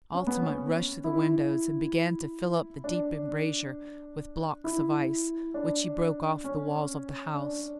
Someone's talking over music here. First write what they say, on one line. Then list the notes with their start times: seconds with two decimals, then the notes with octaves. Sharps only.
Altamont rushed to the windows, and began to fill up the deep embrasure with blocks of ice, which he broke off the walls of the house.
0.14 C#4
0.27 B3
0.41 C#4
1.04 E4
2.84 D4
4.64 E4
5.54 D4
6.44 C#4
7.35 D4